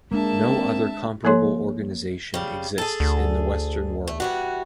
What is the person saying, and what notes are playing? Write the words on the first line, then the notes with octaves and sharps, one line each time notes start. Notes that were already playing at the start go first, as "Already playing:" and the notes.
No other comparable organisation exists in the Western world.
G#3 A#3 D4 E5 A5
C4
F3 A#3 A4 C#5 C6
C#3 G3
G#4 A4
D2
A3
E3 G3 F#4